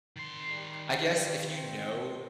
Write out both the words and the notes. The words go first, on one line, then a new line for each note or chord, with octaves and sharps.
I guess if you know
D#3 C6
G3
C4